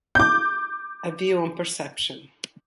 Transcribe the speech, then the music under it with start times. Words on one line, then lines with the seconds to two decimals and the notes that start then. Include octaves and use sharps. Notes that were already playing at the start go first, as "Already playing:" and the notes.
A view on perception.
0.15 D6 G6